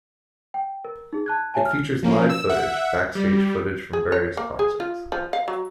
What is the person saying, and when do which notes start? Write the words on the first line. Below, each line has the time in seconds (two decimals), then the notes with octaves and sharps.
It features live footage, backstage footage from various concerts.
0.54 G5
0.85 A#4
1.13 D#4 G#4
1.26 A5 F#6 G#6
1.54 C#5 E5 G#5 A5
1.65 F6
2.03 F3 A#3 C#4
2.30 E6
2.49 E5 F#5
3.15 G3
3.93 G#4
4.12 C#5
4.37 A#3
4.59 G#4
4.80 F4
5.12 F3
5.33 F5
5.48 F#3